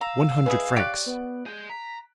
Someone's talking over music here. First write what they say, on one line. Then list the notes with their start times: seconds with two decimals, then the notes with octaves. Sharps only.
"One hundred francs!"
0.01 F5 A#5 E6
0.46 G#3 E4 G#4 B4
0.76 G4 C#5 D5 F#6 D7
1.06 B3
1.46 G#3 G#4 G6
1.70 A#5 B6